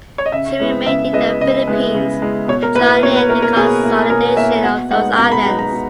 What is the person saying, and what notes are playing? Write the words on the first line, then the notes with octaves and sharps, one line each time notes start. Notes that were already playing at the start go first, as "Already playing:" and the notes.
She remained in the Philippines to join in the consolidation of those islands.
C#5
D#5
C#3 E5
G#3 B3 E4
C#3 E5
G#3 B3 E4 D#5
C#3 D#5
G#3 B3 E4
C#3
G#3 B3 E4
B2 C#5
A#4
A#3 E4 B4
B4
B2 C#5
B4
A#3 E4 A#4
A#4
B2 G#4
A#3 E4
B2 A#4
A#3 E4 E5
B2 F#5
G#3 B3 D#4 F#5
B2 A#5
B5
G#3 B3 D#4 A#5
A#5
B2